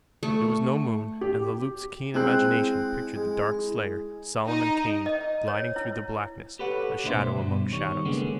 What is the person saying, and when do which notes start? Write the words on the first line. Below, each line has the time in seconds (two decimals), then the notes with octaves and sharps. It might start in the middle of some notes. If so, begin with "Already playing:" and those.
There was no moon, and Le Loup's keen imagination pictured the dark slayer, Solomon Kane, gliding through the blackness, a shadow among shadows.
0.23 A3 C#6
1.21 G4
2.14 G#3 C4 E4 F#6
3.16 G#3
4.47 D#4
5.06 D#5
5.48 C#5
5.76 E4
6.59 G4 A4 B4 C#5 F#5
7.04 D2 B2 D4 C5 E5 C6
7.38 G2 B2
7.72 D#3 G3 C#5
8.05 C#2 D3 G#3 A#3 B3 C#4